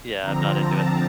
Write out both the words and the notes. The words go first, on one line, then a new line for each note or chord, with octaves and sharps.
yeah, I'm not into it.
D3 F3 C4 A#5
A5